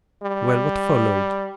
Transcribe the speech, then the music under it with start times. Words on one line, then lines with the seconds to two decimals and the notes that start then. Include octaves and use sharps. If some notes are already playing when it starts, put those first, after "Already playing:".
"Well, what followed?"
0.23 G3